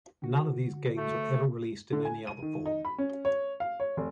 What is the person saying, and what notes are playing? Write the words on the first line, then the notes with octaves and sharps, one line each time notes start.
None of these games were ever released in any other form.
D3 F#4
A3
D3
G#5
D#7
D#3
D#4
B5
C#4
C#5
F5
C#5
F1